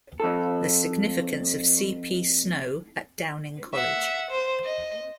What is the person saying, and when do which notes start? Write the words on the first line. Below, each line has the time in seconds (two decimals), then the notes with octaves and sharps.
The Significance of C. P. Snow at Downing College.
0.20 F2 A4
3.74 E5 F#5
4.31 C5
4.64 D#5